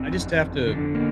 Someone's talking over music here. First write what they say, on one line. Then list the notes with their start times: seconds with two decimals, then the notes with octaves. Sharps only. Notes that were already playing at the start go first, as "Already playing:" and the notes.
I just have to
Already playing: G1 C4
0.12 F2
0.39 G1
0.67 D3
0.95 A#3